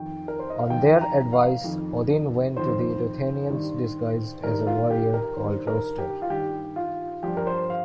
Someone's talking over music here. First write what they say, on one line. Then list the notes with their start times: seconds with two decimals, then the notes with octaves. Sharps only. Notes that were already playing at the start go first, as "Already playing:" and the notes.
On their advice Odin went to the Ruthenians disguised as a warrior called Roster.
Already playing: F2 D#3 G5
0.28 A#4
0.39 C5
0.50 D#5
0.60 F5
0.70 F2 D#3 G5
1.01 A#5
1.33 F5
1.64 F2 D#3
2.57 F2 D#3 C5
3.50 G2 D#3
4.43 G2 D#3 A#4
4.67 F4
4.91 G4
5.14 A#4
5.36 G2 D#3 C5
5.67 A#4
5.98 G4
6.22 F4
6.30 G2 D#3 G4
6.76 F4
7.23 G2 F3 G4
7.37 A#4
7.47 C5
7.70 F5